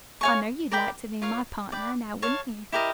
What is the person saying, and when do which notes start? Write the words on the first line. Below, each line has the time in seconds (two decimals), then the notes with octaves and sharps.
I know you'd like to be my partner, now wouldn't you?
0.21 C#5 F5 G#5 C#6
0.72 A#4 D5 G5 B5
1.22 F4 A#4 C#5 F5
1.72 B4 D5 G5
2.22 C#5 F5 A5
2.72 E4 G4 A#4 D#5